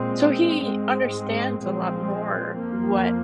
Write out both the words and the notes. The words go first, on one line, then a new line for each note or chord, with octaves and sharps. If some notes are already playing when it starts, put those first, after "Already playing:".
so he understands a lot more what,
Already playing: A#2 G#3 C4
G#2 G#3 C4
A#2 F3 G#3 C4
F2 F3 A#3